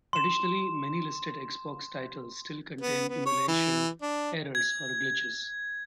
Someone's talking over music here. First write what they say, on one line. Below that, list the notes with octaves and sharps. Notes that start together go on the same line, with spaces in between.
Additionally, many listed Xbox titles still contain emulation errors or glitches.
C6 E7
B3
B3
C#5
E3
D4
G#6